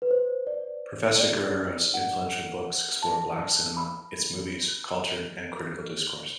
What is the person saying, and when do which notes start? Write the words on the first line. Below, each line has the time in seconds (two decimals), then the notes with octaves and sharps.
Professor Guerrero's influential books explore black cinema, its movies, culture and critical discourse.
0.02 B4
0.11 C5
0.47 D5
1.20 D5
1.94 F#5
3.02 A5
3.77 B5